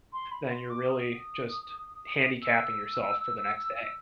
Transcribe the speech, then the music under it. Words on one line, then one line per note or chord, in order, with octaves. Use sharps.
then you're really just handicapping yourself for the next day.
C6
B5
C6
D6
D#6
E6
E6